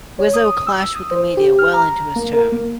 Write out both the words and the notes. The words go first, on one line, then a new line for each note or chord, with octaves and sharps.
Rizzo clashed with the media well into his term.
C#5
D#6
E6
D#6
C5
G4
F6
A#5
A#3
A#4
A#3